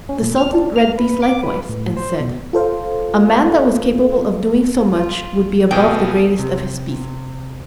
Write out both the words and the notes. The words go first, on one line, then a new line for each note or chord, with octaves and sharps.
The sultan read these likewise, and said, "A man that was capable of doing so much would be above the greatest of his species."
C#4
A#2
F6
D4
F6
B4
D6
B4
A2
C5
B2
F4 A4 C5 F5
F4
B1 B2 A4 G5 G#5 D#6
C3